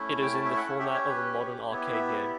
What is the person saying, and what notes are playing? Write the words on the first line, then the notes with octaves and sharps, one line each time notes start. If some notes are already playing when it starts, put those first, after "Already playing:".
It is in the format of a modern arcade game.
Already playing: A3 C#4 E4
G5
A5
E5
F#5
C#4 G4 E5
C#5
B4
B3 E4 G4 C#5
E5
D5